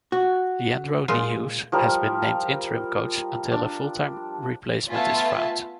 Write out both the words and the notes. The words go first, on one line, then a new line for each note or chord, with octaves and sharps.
Leandro Niehues has been named interim coach until a full-time replacement is found.
F#4
A#2 G#3 F4
F3 G3 A#4
D4
A3 B3 F4 E5 G#5 A5